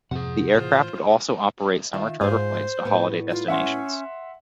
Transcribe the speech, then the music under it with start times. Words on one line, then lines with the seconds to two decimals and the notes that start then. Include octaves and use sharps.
The aircraft would also operate summer charter flights to holiday destinations.
0.11 F2 G#2 C3 F3 G#4 F#5
0.55 A2 E3 F4 C5
1.93 D#3 F4 E5
2.21 G#2 F4 G#4 C5
2.85 A2 G3 B3
3.31 F4
3.48 C#4 E5 F#5 C6